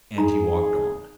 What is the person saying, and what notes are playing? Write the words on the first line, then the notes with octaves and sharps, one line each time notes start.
And he walked on.
D#4 G#4 A#5